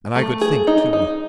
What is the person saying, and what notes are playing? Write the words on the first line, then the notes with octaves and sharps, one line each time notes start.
And I could think, too.
A3
G#4
D#4
D#4